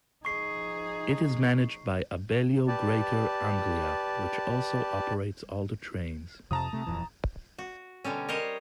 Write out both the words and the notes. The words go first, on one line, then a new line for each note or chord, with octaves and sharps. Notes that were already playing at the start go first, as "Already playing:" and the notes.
It is managed by Abellio Greater Anglia, which also operates all the trains.
F3 D#4 G#4 C#6 C7
G4 B4 D5 A5
F2 C3 A5 A#5 D#6
C3 A3
D#1 F2 E3
F#4
B2 D3 G3 C#4
A#4 C5 C#5 D#5